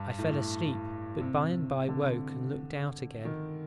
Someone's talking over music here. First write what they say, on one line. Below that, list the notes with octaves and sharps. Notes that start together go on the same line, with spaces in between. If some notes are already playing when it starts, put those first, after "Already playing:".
I fell asleep, but by and by woke and looked out again.
Already playing: G2
A2
C3
D3
D#3